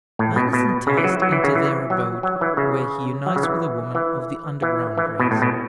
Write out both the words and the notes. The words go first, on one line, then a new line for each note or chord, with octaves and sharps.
A man is enticed into their abode, where he unites with a woman of the underground race.
A2
B2
B2
C#3
E3
F#3
F#3
E3
C#3
E3
F#3
F#3
E3
C#3
F#3
C#3
E3
E3
E3
E3
B2
A2
B2